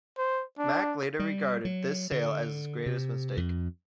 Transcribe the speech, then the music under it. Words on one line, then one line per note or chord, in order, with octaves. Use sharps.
Mack later regarded this sale as his greatest mistake.
C5
D4
G3
F#3
D3
C3
F2